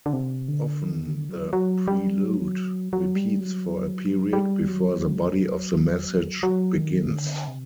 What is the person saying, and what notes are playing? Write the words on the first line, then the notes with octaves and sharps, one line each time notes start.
Often the prelude repeats for a period before the body of the message begins.
D3
C3
D3
D#3
D3
F#3
F#3
G3
F#3
F#3
G3
F#3
G3
F#3
F#3
D#3
D3
C3